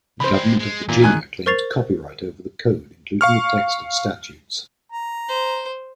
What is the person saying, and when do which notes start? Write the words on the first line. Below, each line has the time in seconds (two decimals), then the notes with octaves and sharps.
The government of Virginia claims copyright over the Code, including the text of statutes.
0.20 C#3 D#4 C5 B5
0.33 G#3 C4
0.60 G#3
0.89 E2 A#2
1.02 D#3 G#5 F#6
1.46 A#4 C5 C#6 A6 C7 F7
3.21 F5 C#6 F6
4.92 A#5
5.29 C5